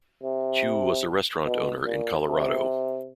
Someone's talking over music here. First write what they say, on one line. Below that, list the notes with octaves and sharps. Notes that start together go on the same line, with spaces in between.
Chiu was a restaurant owner in Colorado.
C3
B2
A#2
C3